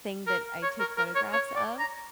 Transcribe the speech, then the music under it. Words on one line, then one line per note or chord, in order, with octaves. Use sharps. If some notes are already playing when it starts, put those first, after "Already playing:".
thing that I take photographs of,
A#4
C#5
A#4
A#4
C#5
C#5
D5
A#5